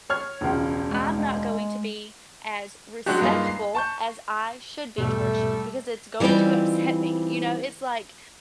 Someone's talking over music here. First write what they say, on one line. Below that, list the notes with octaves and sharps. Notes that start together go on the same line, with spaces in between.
I'm not going to be as respectful as I should be towards you because it's going to upset me, you know, it's, like
C#5 F6 G#6
E1 C#2
G#3
G#3
F#3 G#3 C#4 D4 F#4 G4
G2 G#3 A#3 D#4 F4
C7
A5 C#6 G6
E2 G#2 B2 G3 A3
E3 G3 C4 D#4 F4 D5